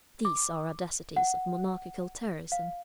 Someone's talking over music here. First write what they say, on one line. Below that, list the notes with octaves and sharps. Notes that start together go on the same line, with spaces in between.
These are audacities of monarchical terrorism.
D6
F#5
F5